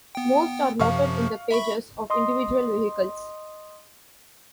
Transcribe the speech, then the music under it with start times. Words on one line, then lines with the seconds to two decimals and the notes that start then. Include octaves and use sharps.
Most are noted in the pages of individual vehicles.
0.15 B3 G5
0.79 F#2 C3 F3 F5 C#6
1.51 E5 B5 C#6
2.10 D#5 C6 D#6